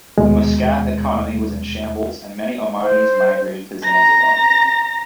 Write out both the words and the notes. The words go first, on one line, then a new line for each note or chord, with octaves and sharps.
The Muscat economy was in shambles and many Omani's migrated to Zanzibar.
D#2 B2 G#3
C5
A#5 A#6